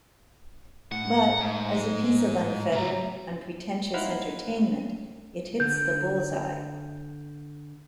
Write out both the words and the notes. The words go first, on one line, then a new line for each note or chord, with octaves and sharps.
But, as a piece of unfettered, unpretentious entertainment, it hits the bullseye.
A2 F#5
G#2
C#3 A#5
D#4 E4 C5 F5 F#5
D3 G6